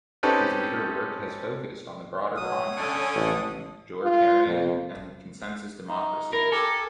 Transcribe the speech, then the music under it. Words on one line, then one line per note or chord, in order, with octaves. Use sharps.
His later work has focused on the broader contrasts between majoritarian and "consensus" democracies.
C4 C#4 D#4 G4 A4 B4
B2 F#3 D#6
D3 C#4 A4 G#5
A1
F4
F2
D#4
E4 A#4
G4 A4 A#4 G#5